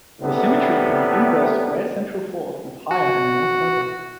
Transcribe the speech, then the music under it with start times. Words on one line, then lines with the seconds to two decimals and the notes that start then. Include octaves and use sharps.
The symmetry for the inverse-square central force is higher and more subtle.
0.21 A2 C3 G3 B3
2.91 F#4